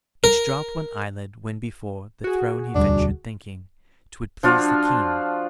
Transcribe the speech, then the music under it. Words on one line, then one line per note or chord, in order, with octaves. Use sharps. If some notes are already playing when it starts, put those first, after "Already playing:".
Each dropped one eyelid when before The throne he ventured, thinking 'Twould please the king.
A#4
F#4 G#4
E1 D2 G3 D4
F3 D4 F4 F#4